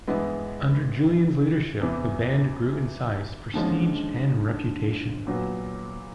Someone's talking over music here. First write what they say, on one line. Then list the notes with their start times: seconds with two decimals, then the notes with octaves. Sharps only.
Under Julian's leadership the band grew in size, prestige, and reputation.
0.08 G2 E3 G#3 B3 E4
1.80 E2 C3 E3
3.53 D#2 D3 F3 G#3 C#4
5.27 A#2 F#3 B3